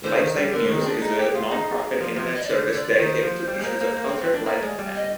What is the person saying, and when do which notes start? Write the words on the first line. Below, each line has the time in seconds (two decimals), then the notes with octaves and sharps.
LifeSiteNews is a non-profit Internet service dedicated to issues of culture, life, and family.
0.04 D3 C5
0.20 D#3
0.37 G3
0.53 D3 A#4
0.69 D#3
0.78 C4 G#4
0.86 D4
1.02 D#4 G#4
1.19 G4
1.35 F4
1.52 D#4
2.01 F3
2.17 F3
2.36 D#5
2.43 D5
2.49 D3 C5
2.74 D3 D5
2.99 D#3 C5
3.23 F3
3.48 G3
3.59 G#3
3.64 A#3
3.81 A#3
3.97 A#3
4.09 C4
4.22 C4
4.34 D4
4.46 A#3 D5
4.63 G#3
4.79 G3
4.95 D#5